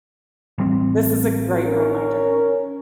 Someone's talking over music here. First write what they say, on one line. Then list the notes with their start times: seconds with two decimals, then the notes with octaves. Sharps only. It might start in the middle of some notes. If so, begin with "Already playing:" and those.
This is a great reminder.
0.58 A1 G3 C4
1.64 C#4 A#4